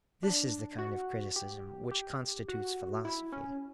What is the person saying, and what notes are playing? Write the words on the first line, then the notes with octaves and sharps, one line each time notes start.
This is the kind of criticism which constitutes philosophy.
D4
F#4
G4
G4
F#4
E4
C#4